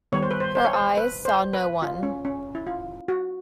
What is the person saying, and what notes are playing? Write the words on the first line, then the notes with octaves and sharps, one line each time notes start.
Her eyes saw no one.
D#3 G3 B3 C#5
C5
B4
C5
C5
C#5
C5
B4
C5
B4
F4
C#4
C#4
E4
F4
F#4